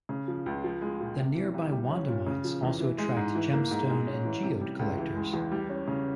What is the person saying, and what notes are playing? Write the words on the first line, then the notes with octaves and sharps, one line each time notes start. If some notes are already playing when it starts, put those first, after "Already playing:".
The nearby Wanda Mines also attract gemstone and geode collectors.
C#3
F3
C#2
F3
G#3
A#2
C3
E3
C2
G3
C#4
A#2
C#3
F3
E2
E3
G#3
G#2
E3
A#3
G#2
G#3
C#4
E3
C3
G3
C#2
E3
G#3
E2
G3
C#4
C#3